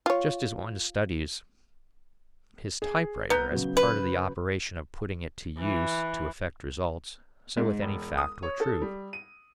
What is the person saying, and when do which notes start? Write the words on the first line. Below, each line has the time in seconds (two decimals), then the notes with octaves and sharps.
Just as one "studies" his typewriter as part of the operation of putting it to use to effect results, so with any fact or truth.
0.06 F4 C#5
2.82 G#4
3.30 B3 B4 A#5 G6
3.51 C#3 F#3
3.77 B4
5.58 E3
7.57 G#2
7.82 E1
8.18 D#6
8.43 C#5
8.60 A4
8.81 G3
9.13 D#7